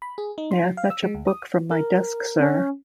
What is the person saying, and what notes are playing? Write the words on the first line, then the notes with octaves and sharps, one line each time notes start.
May I fetch a book from my desk, sir?
B5
G#4
D#4
C6
F#3
F5
E6
G#3
D2
D#6
A#4
C#4